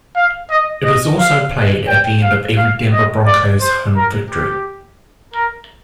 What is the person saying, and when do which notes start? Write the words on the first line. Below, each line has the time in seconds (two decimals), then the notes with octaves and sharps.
It is also played at the end of every Denver Broncos home victory.
0.16 F5
0.50 D#5
0.85 D#5
1.19 F5
1.88 G5
2.23 F5
2.57 F5
2.92 D#5
3.26 D5
3.61 C5
3.96 A#4
4.30 G4
5.34 A#4